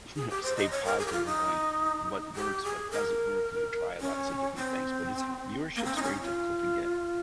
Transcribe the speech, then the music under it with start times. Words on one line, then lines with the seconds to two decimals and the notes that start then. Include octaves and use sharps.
you know, stay positive knowing what works, what doesn't work. You try a lots of different things, but it's viewership's very difficult to get.
0.16 G#4
0.30 G4
0.43 C5
0.57 D#5
0.71 C#5
0.85 A#4
0.99 G#4
1.06 G4
1.12 F4
1.26 D#4
2.36 G4
2.63 G#4
2.91 A#4
4.01 C#4
4.56 C4
5.76 A#3
5.84 C4
5.95 D#4
6.03 C#4
6.21 F4